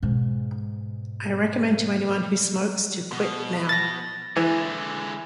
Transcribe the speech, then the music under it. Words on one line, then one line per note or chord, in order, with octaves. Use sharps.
I recommend to anyone who smokes to quit now.
G#2 B2
B2
A6 A#6
D3 E3 G#3